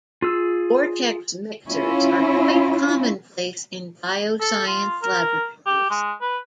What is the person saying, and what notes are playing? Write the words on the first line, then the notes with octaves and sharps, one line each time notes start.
Vortex mixers are quite commonplace in bioscience laboratories.
F4 G#4 E6
C#4 E4 F4
A4
F4
A#4
G4
G#3
B4